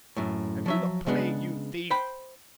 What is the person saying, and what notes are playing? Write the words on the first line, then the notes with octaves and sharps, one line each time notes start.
Have you the plague, you thief?
F#2 A2
F3 F#3 E5
C#3 G#3 B3 D4
C5 G5 B5